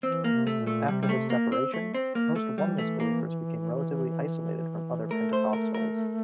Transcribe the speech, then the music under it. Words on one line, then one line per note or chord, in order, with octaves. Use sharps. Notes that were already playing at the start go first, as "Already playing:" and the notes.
After this separation, most Oneness believers became relatively isolated from other Pentecostals.
E3 C4
A#3
C3
A3
A#2
A3
C3 G3
G3
A3
A#3
C4
A3
C4
A#3
A3
E3 G3
A3
A#3
A3 A#4
C5
A#4
A#4